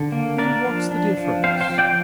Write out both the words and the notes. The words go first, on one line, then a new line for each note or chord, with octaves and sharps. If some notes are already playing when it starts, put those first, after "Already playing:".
"Then what's the difference?"
Already playing: D3
A#3
D4 A#4 D5
F3
D4
F3
C4 C5 F5
C5 F5
F3
D5 G5